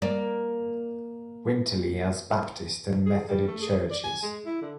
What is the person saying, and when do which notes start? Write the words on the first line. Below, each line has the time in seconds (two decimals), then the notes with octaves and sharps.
Winterley has Baptist and Methodist Churches.
0.02 A#3 D5
3.06 G#4
3.28 G3
3.48 A3
3.62 G#4
3.91 D5
4.04 G#5
4.22 G#3
4.46 E4
4.62 D3